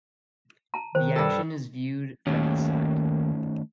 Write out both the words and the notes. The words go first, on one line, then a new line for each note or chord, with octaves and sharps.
The action is viewed from the side.
A5 A#5
D#3 C5
G2 A4
D#2 D#3 A3 C#4